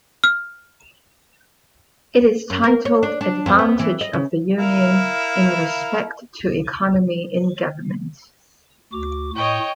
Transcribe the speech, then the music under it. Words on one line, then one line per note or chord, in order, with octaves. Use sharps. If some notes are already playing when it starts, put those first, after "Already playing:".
It is titled, Advantage of the Union in Respect to Economy in Government.
F6
F#2
A#4
C#5
D4
D4
F2
B3
E3
D#5
C#3
E4 A#4 F5
D2 F#4 D6
A2 C#5 D#5 G5 C#6